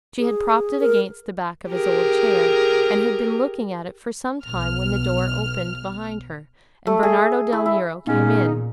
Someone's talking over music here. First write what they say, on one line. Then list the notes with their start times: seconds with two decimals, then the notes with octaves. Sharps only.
She had propped it against the back of his old chair, and had been looking at it for some time, when the door opened behind her, and Bernardo del Nero came in.
0.19 G#4
0.81 A#4
1.70 G4 G#4 A#4
4.44 B1 F6
6.87 A3
7.03 G#4
7.52 E4
7.66 E4
8.07 A#2 B3 C#4 D#4 G#4